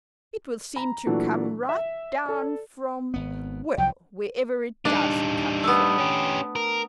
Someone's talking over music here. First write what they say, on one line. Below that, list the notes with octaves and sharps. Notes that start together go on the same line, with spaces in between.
"It will seem to come right down from--well, wherever it does come from."
A#5 B5
A#2 E3 F#3 A3 D4
E5
A4 D5
G#1 B3
C2 F3 F#3 G5
G3 D4 D#4
A3 B3
C#4 G4
A#4